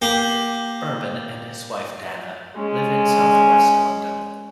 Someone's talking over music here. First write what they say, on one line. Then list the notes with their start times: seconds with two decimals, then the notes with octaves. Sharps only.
Urban and his wife Dana live in south-west London.
0.02 A#3 G4
2.56 G#3 C#4